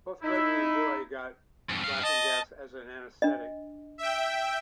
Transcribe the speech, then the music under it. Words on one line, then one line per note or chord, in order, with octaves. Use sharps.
Both Reggie and Joey get laughing gas as anaesthetic.
D#4 E4
F2 G#2
G2 F5
D#5 A5
D4 D#5
E5 G5